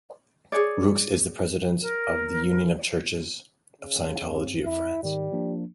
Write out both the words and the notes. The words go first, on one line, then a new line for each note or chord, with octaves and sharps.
Roux is the President of the Union of the Churches of Scientology of France.
G#4 C#5 D5
A#4
C#3
G2 C4
F2 E4
G#2 D#3 G3
F3 A#3 D4